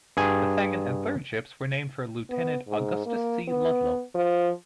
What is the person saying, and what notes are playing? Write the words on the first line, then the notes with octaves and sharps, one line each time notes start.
The second and third ships were named for Lieutenant Augustus C. Ludlow.
G2 G#4 G#5
B3
G#2
A#3
B3
F3